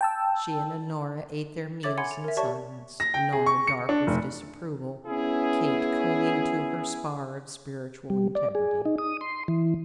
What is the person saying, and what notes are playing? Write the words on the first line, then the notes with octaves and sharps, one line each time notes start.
She and Honora ate their meals in silence, Honora dark with disapproval, Kate clinging to her spar of spiritual integrity.
G5 A5 E6
A4 C#5 E5 D6 A6 F#7
F#5 G#5 B5 C6 G#6 C#7
F7
A#4 E5
G4 C#5 D5 E5 A5 C#6
A#6
G5
G#4
C#6
C#7
D4
F1
B3 C#4 E4 G#4
G3
D5
G#4
D#4
D#6
C6
E3